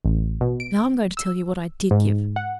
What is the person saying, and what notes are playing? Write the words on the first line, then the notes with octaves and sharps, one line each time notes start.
Now I'm going to tell you what I did give.
A1
B2
D7
E6
G#2
F#5